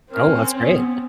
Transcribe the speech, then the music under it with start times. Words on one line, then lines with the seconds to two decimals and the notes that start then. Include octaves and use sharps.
Oh, that's great.
0.11 C4 C#4 A#4
0.63 B3